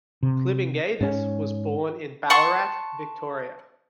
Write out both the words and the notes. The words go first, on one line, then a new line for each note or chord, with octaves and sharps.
Klibingaitis was born in Ballarat, Victoria.
C3
G#2 C#4
F#5 A5 C6 C#6